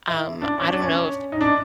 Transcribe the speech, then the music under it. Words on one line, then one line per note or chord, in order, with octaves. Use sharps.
Um, I don't know if
E4
D4
C#4
D4
C#4
D#4
D4